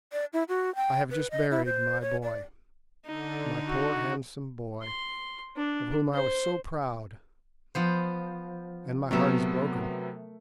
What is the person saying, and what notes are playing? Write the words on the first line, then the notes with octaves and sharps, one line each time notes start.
'I have just buried my boy, my poor handsome boy of whom I was so proud, and my heart is broken.
D5
E4
F#4
G5
B4
D#5
E4
C5
C#5
D5
D3 D#4
F#4
C6
D4
C5
F3 B3 C5
C3 F#3 A3 B3 A#4 E5